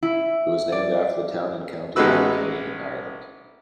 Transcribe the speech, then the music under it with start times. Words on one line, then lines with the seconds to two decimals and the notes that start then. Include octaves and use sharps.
It was named after the town and county of Kilkenny in Ireland.
0.03 E4
0.72 D5
1.96 A1 G#3 D#4 F#4 B4 E6